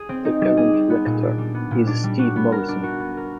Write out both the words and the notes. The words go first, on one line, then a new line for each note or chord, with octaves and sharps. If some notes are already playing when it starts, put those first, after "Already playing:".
The current Rector is Steve Morrison.
Already playing: G#4
C4
D#4
G3
G#4
C4
B3
A#2
D4
G3
B3
A#2
D4
G3
F#4
B3
A#4
D4
F#4
B3
A#4